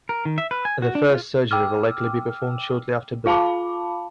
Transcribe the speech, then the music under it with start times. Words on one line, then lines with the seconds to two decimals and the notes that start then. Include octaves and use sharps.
The first surgery will likely be performed shortly after birth.
0.09 A#4
0.25 D#3
0.38 E5
0.51 B4
0.65 G#5
0.82 F#4
0.95 D4
1.09 F4
1.51 G5 D6 E6 F6
3.26 F4 F5 A5 B5 D6